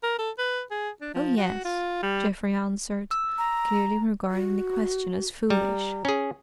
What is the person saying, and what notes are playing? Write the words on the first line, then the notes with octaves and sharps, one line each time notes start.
"Oh yes," Geoffrey answered, clearly regarding the question as foolish.
A#4
A4
B4
G#4
D4
F3
F#4
F4
G3
E6
A#5
F#4
G3 A#5
C#4 G#4